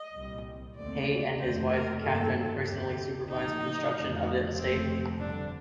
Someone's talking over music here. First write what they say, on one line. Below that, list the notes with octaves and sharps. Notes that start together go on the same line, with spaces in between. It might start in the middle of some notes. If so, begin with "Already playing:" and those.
Hay and his wife Katherine personally supervised construction of the estate.
Already playing: D#5
C2 A#2 G3 C4
D#2 D3 A3 C4 D5
F1 D#2 D#3 A3 C4 C5
A#4
G2 D#3 A#3 A4
F1 D#2 D3 G4
A1 A2 F3 A#3 D#4
F1 F2 D3 F3 A3
F1 D#2 D3 A3 C4
G1 G2 D3 D4